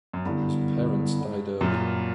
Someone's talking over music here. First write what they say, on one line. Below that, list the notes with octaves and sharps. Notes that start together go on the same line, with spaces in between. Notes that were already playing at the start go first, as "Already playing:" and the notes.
His parents died early.
F#2
G2 D3 G3 B3 E4
F#2 A#2